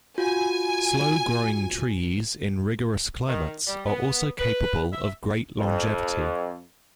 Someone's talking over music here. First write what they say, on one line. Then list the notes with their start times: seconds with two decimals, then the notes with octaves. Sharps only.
Slow-growing trees in rigorous climates are also capable of great longevity.
0.18 F4 F#4 G#5
3.27 D#3
3.67 G3
3.86 B3
4.38 B4
4.92 E5
5.58 F2